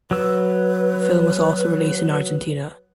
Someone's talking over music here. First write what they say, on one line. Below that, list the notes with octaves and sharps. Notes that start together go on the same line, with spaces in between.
The film was also released in Argentina.
F#3 B4 E6